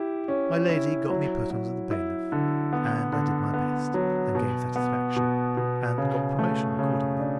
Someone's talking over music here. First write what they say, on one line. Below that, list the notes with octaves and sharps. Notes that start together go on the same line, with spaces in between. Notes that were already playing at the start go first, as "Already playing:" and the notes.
My lady got me put under the bailiff, and I did my best, and gave satisfaction, and got promotion accordingly.
Already playing: E4 G4
C#4
E4
F#3
F#3
E4
D3
B3
D3
B3
F#3
B2
B3
B2
B2
C#3
A3
C#3
D4